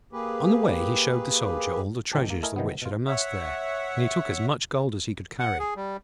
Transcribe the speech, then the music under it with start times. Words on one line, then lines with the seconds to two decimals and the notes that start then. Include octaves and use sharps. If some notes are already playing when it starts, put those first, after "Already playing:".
On the way he showed the Soldier all the treasures the Witch had amassed there, and he took as much gold as he could carry.
0.13 A#3 G4 G#4 B4
2.12 A#1 A2 D#3 C4 G4 A5
2.30 A#3
2.43 A3 E4 A#4 D#5 G#5
2.56 C3 D#3 E3 F#3 G3 B3
2.82 B2 F4
3.07 C#5 E5 F#5
5.40 F#5
5.59 G#4
5.76 G3